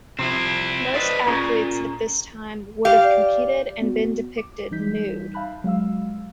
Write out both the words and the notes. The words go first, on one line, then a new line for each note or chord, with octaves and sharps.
Most athletes at this time would have competed, and been depicted nude.
C3 F3 C4 E4
A4 B4 C5 D5 D#5
A#2 C#4 G#4 A#5
G4 F5
D5
B3 F#4
D6
E3 G3 D#4 G6 B6
E5 F5 A5 B5 F#6
F#3 G#3 F5 E6